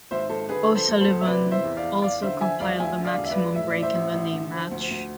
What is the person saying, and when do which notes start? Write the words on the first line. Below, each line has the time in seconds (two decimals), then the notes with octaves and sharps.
O'Sullivan also compiled a maximum break in the same match.
0.11 G#1 C5 E5
0.30 G#1 A4 C5
0.49 D3 G#4 B4
0.68 F3
0.75 A4 C5
0.88 D2
1.00 A4 C5
1.07 D2
1.21 E5
1.26 C3 B4 D5
1.45 E3
1.51 C5 E5
1.64 E2
1.77 D5 F5
1.83 E2
2.02 E2 D5 F5
2.21 D3 C5 E5
2.40 F3 E5 G#5
2.60 E1 D5 F5
2.79 D2 E5 G#5
2.98 D3
3.05 D5 F5
3.18 E1
3.26 E5
3.30 B4 D5
3.37 E1
3.56 A2 E5
3.70 D5
3.76 E3
3.82 C5 E5
3.95 A1
4.14 A1
4.33 D3
4.52 F3
4.71 D2
4.91 D2